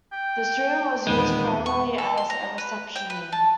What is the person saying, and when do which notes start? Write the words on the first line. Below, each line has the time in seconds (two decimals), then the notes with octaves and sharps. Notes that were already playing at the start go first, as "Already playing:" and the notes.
This room was used primarily as a reception room.
0.13 G5
1.07 E2 A#2 D#3 G#3 B3 C4 B4
1.66 C#6
1.98 A4
2.17 C6
2.30 A#5
2.58 B4
2.96 G5
3.10 B4
3.32 A5